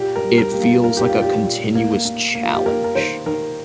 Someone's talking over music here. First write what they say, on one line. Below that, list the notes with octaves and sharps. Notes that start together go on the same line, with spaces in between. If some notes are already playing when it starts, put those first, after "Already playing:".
it feels like a continuous challenge.
Already playing: A#2 G4
A#4
G3
A#4
A#3 G4
F4
A#3 A#4
G4
A#2 F4
G4
A#2
A#3
A#3
A#3
F4
G4
A#3 A#4
A#4
D#3 C5
D#3 A#4